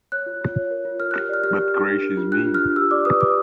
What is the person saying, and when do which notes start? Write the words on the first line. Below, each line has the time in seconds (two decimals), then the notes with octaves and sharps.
But gracious me!
0.12 C#5 F#6
0.26 F4
0.41 F4
0.56 C#5
0.71 A#4
0.85 F4
1.00 A#4 F6
1.11 G4 F#6
1.29 D5 F6
1.44 G4 F6
1.58 G4
1.74 G4
1.88 D4
2.03 A#4
2.17 F4
2.32 D4 F#6
2.47 F4
2.54 F6
2.62 F4
2.76 G4 E6
2.91 D5 D6
3.05 B4 D#6
3.20 G4 D6